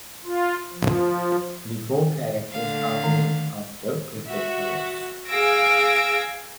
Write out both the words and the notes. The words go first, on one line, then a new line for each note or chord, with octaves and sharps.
The four characters are named after cricket players.
F4
F3
D3 A3 F5
D#3
F#4 E5
G#4 F5 E6 G#6 A#6 D7